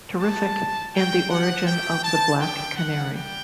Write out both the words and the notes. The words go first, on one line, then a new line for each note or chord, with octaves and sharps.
Terrific, and the origin of the Black Canary.
B3 F#4 A5
C#4 F#4 G5
F#5
A3 E4 G4 G5
A5
B3 E4 G4 G5
F#5
G3 G5